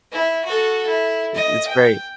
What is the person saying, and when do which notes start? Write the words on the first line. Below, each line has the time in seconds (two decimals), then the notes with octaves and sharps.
it it's great.
0.12 E4
0.44 F#4 A4
0.86 E4
1.35 D#5
1.67 G5